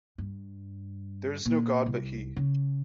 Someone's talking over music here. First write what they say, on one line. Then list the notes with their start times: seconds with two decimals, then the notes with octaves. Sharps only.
There is no God but He.
0.18 G2
1.46 A#2
1.86 C2
2.36 C#3